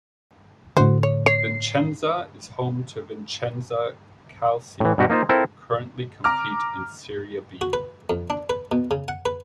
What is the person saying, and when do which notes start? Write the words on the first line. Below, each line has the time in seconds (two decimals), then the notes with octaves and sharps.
Vicenza is home to Vicenza Calcio, who currently compete in Serie B.
0.77 A2 D3 F#4 C5
1.03 C#5
1.26 C#5 C7
4.80 A2 E3
4.98 G2 B2 F#4 G4
5.10 A#3 D#4 F4 C5
5.29 C4 E4 F4 A4 A#4 C5
6.24 A#5 D6 F6
7.61 F#4
7.73 B4
8.10 F2
8.30 D4
8.50 B4
8.72 B2
8.91 C#3
9.08 F#5
9.26 B4